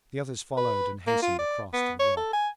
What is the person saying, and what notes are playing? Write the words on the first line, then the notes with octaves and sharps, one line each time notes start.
The others followed, and hastened across to the rock.
B4
A#3
F4
D5
B3
C#5
A4
G#5